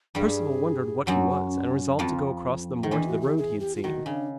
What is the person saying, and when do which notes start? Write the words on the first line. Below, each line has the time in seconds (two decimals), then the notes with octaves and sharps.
Perceval wondered what he was, and resolved to go across the moor to the road he had seen.
0.15 G2 G3 G#4
1.07 F#2 F#3 D4
1.30 C#4
1.99 F2 F3 C4
2.83 D#3
2.91 E2 E3 D4
3.07 F#4
3.21 G4
3.38 G#4
3.60 G4
3.76 F4
3.83 D#3 F#4
4.06 C#3 D4